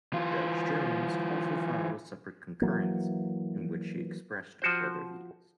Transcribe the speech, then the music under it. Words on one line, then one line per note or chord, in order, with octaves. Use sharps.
Judge Jones also filed a separate concurrence, in which she expressed further views.
E3 F4
E3 F#3 A#3
F3 F#4 C5